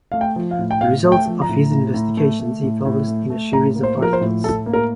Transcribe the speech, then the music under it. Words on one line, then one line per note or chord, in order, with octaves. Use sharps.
The results of his investigations he published in a series of articles.
A3 F5
G5
F3
F5
A2
G5
A2 F5
A3
G5
F3
A#5
A2
A2
A2
A3
A3
A2
A2
A3
A3
A2 A#5
A#3
C5
F3 A#4
C5
A2
A2 A4
A#3
A#4